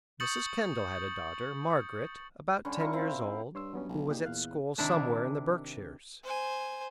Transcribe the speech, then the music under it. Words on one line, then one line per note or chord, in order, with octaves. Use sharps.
Mrs. Kendall had a daughter, Margaret, about ten years old, who was at school somewhere in the Berkshires.
C#6 D#6 G6 A6 C#7 F#7
D3 G3 C#4
E4 F4 A#4 C#6
C4 E4
G2 C#5 C6 E6
F#3 B3 C#4
B1
A#2 D#4 G4 G#4
E2 A#2 F5 F#6
C3 D#3 D4 E4
C5 G#5